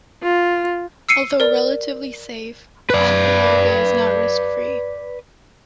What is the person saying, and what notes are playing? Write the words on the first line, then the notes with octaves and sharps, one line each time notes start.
Although relatively safe, Hatha Yoga is not risk free.
F4
E6 C7 C#7 D#7
A#4 D5
B4 D5